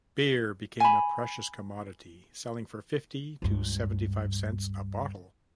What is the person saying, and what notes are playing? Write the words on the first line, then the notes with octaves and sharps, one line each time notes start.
Beer became a precious commodity, selling for fifty to seventy-five cents a bottle.
G#5 B5
C#2 G2